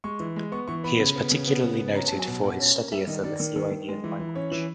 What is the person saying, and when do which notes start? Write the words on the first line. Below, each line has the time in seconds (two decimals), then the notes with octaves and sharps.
He is particularly noted for his study of the Lithuanian language.
0.04 G#3 C#6
0.20 E3
0.36 G#3
0.52 B3 C#6
0.68 E3 C#6
0.84 B3 B5
1.00 C#3
1.16 B3
1.31 C#3
1.48 B3
1.64 C#3
1.80 B3
1.95 C#4 A#5
2.07 A5
2.12 F#3
2.19 G#5
2.28 B2
2.43 B2 F#5
2.60 C#4
2.76 A#3
2.92 G3 E5
3.07 D#3 D#5
3.23 D#3 D5
3.40 D#3
3.56 D#3
3.72 D#3
3.88 G#3
4.04 E3
4.20 E3
4.36 C#4 C#5
4.51 E3